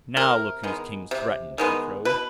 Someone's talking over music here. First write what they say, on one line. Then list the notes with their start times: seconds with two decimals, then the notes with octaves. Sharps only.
"Now look whose king's threatened!" he crowed.
0.16 C3 A#4
0.63 D#3 G#3 B3
1.11 C3
1.58 D#3 G#3 B3
2.05 B2 B4